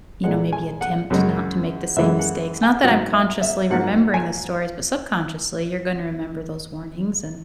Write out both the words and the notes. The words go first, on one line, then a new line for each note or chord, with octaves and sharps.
you know, maybe attempt not to make the same mistakes. Not that I'm consciously remembering the stories, but subconsciously, you're gonna remember those warnings and
A#2 G#3 F#5
G#5
F#5
F#2 C#3 G#3
F#2 E3 G#3 E5
F#5
G#5
G#2 F#3 A#3 F#5
E5
E5
G#2 F#3 A#3 F#5
G#5